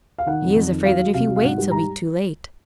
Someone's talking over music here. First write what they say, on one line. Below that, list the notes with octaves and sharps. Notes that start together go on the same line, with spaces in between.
"He is afraid that if he waits he'll be too late!"
F5
D#3 F#5
F2
F2
D#3
F#3 F5
F#3
C3 F5
F#3
F5
G#2 F#5
G3
G#2 A#5